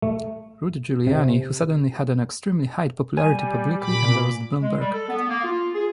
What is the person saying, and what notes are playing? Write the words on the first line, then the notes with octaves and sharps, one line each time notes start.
Rudy Giuliani, who suddenly had an extremely high popularity publicly endorsed Bloomberg.
A3
C3
G3 G#5
A#2 B5 D6
G#3
G3
A4
B3
A#3
F4
G#4